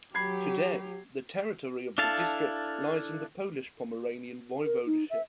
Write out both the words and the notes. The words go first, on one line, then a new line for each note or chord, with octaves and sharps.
Today the territory of the district lies in the Polish Pomeranian Voivodeship.
F#3 G4 B5 G#6 C7
D4 E4 A4 F5 A5
A#4
D#4
E5